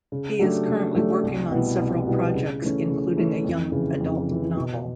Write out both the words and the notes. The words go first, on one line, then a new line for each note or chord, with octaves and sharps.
He is currently working on several projects, including a young adult novel.
C#3
F#3 A3 D4 G4
C#3
F#3 A3 D4 G4
C2
B2 G3 B3 E4
C2
B2 G3 B3 E4
C#3
E3 A3 C#4
C#3
E3 A3 C#4
F2
C#3 E3
F2
C#3 E3
B2